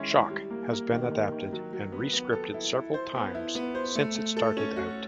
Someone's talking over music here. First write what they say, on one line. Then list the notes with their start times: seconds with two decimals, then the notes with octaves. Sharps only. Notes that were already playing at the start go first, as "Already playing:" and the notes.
"Shock" has been adapted and re-scripted several times since it started out.
Already playing: D#3 G#3 C#4 E4
0.11 E4
0.30 G3
0.50 A#3
0.72 A#3
0.91 D#3
1.11 D#3
1.32 D#3
1.53 F#3
1.73 F#3
1.92 B3
2.13 B3
2.33 A4
2.54 E4
2.74 E4
2.94 C5
3.15 B3
3.35 E4
3.55 B3
3.75 C5
3.95 A3
4.15 A3
4.37 A4
4.57 C#4
4.76 F#4